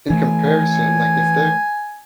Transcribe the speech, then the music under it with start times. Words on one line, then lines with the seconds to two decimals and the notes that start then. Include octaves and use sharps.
in comparison, like if they're
0.10 E3 A3 G#5